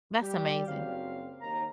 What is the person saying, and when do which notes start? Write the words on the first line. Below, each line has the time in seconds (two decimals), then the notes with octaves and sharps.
That's amazing.
0.22 G3 G4
0.67 F#1 F#3 C4 F5
1.41 D#2 A#5